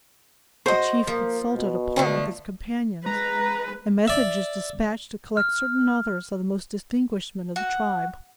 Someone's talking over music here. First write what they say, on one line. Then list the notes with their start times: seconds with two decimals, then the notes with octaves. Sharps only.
The chief consulted apart with his companions, and messengers despatched to collect certain others of the most distinguished men of the tribe.
0.66 F#4 C5 D#5
1.07 F3 A#3
1.55 B2
1.96 D3 F3 A3
3.06 G#3 B4 A#5
4.08 D5 E5
5.37 F6
7.56 F#4